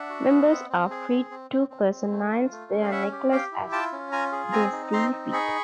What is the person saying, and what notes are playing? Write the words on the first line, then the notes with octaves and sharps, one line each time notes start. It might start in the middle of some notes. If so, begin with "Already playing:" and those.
Members are free to personalize their necklace as they see fit.
Already playing: D4 E5 F#5
F#4
B3
C4
C4
G#4
C4
C4
C4
C4
C4
A3
F4
A3
C#4
F5
C#4 E5 F#5
G4
G4 F5 G5
E4
F4 G5 A5
C#4
F4 G#5 A#5
G#4
C4 G#5 A#5
D#4
C4 A#5 C6
D#4
G#4 B5 C#6